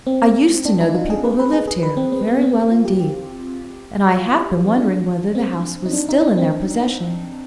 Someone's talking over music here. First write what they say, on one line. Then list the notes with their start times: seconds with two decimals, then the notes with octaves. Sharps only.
I used to know the people who lived here--very well indeed--and I have been wondering whether the house was still in their possession.
0.07 C4
0.65 D4
0.81 D#4
0.95 F4
1.10 G#4
1.24 B4
1.39 B4
1.53 G#4
1.67 G#4
1.83 B4
1.97 C4
2.12 C4
2.27 B3
2.41 C4
2.71 F4
2.85 G4
3.00 G4
4.18 F4
4.67 C4
4.76 D4
5.35 C4
5.86 D#4
5.93 D4
6.09 D#4
6.23 D4
6.37 C4